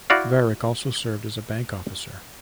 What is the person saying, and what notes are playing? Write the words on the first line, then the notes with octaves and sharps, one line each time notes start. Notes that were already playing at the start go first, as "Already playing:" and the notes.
Varick also served as a bank officer.
E4 F#4 D5 F5